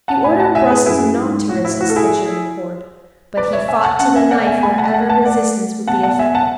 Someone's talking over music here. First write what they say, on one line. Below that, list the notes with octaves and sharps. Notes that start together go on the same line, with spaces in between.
He ordered Brussels not to resist the German horde, but he fought to the knife wherever resistance would be effective.
F#5 A5
A2 G#5 B5
F#5 A5
E5 G#5
G#4 B4
F#2 E4 G#4
G#2
A2 F#4
E4
F#4
A4
E4 G#4
B4 D5
C#5 E5
E5 G#5
F#5 A5
C#4 F#5 A5
E5 G#5
B3 D5 F#5
E5 G#5
A3 G#5 B5
F#5 A5
A3 F#5 A5
F#5 A5
D5 F#5
B3 F#5 A5
F#5 A5
E5 G#5
F#5 A5